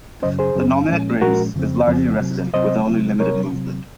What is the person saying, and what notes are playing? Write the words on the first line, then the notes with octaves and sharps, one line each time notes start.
The nominate race is largely resident, with only limited movement.
F#2 C#3 F#3 C#4 C5 D#5
G#4 C5
F#2 C#3 F#3 C#4
A#2 F3 G#3 C#4
A#2 F3 G#3 C#4 F#4 A#4
F2 C#3 F3 C4
F2 C#3 F3 C4
C3 F#3 C4
C3 F#3 C4 C5 D#5
C3 F#3 C4
C3 F#3 C4 A#4 C#5
C3 F#3 C4